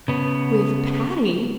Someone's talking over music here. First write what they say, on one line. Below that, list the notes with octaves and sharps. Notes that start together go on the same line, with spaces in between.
"With Patty!"
C#3 B3